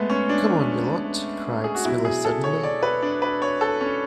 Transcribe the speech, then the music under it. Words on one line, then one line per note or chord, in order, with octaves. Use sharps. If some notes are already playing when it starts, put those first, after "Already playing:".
"Come on, you lot," cried Spiller suddenly.
Already playing: G#3 A3 B3
C#4
D4
G#4
F#4
B2 F#3 E4
G#4
A4
C#5
D5
B4
D4
B4
C#5
A4
C#4